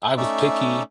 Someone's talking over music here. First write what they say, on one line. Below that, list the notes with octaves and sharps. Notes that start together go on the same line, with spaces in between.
I was picky,
A3 C#4 D#4 D5 E5